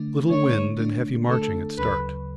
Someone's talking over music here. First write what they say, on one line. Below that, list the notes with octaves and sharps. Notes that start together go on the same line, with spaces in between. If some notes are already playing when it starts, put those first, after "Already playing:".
Little wind and heavy marching at start.
Already playing: D3 A3 D4
D3 A3 D4 C#5
D3 A3 D4
D3 A3 D4 A4
D2 C#3 F#3 B4